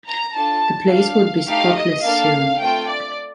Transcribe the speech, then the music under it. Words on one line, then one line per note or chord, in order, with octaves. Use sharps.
The place would be spotless soon.
A#5
D4 F4 A4 A5
D4 A4 F5
A3 D#4 G4 F5
D#5
A#3 D4 A4 F5
A3 C4 F4 A4 G5
D5